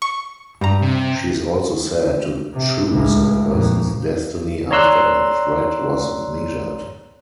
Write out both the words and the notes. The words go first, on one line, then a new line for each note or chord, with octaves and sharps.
She is also said to choose a person's destiny after a thread was measured.
C#6
G2 A#5
C3
C3
C#2 A2
F2 A#2
C#5 D5 A#5 C6 E6 F#6